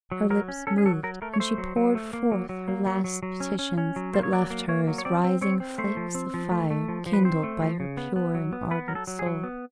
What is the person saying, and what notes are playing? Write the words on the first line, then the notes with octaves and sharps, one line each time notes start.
Her lips moved, and she poured forth her last petitions, that left her as rising flakes of fire, kindled by her pure and ardent soul.
F#3
F#3 A#4
C#4
C#4 A4
G#4
F#3 A4
F#3 A#4
A3 A#4
C#5
A3 C5
F#3
F#3
A3
A#3
F#3
F#3
A#3
F#3
F#3
F#3
C#4
C#4
C#4
F#3
A#3 C5
C#5
F#3 D5
A#3
A#3 C#5
F#3
C#5
C4 D5
C4
C4 C#5
C4
A3 C5
F3
C4
F3
A3
A3
F3
F3
B4
C4 C5
A3
F3
C#3
B3
B3
F#3
B3
B3 B4
F#3 A#4
A4
F#3
G#4
F#3
B3